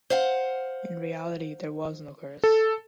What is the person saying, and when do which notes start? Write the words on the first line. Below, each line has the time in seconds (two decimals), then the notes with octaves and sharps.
In reality there was no curse.
0.10 C5 F5 F#5
2.44 A4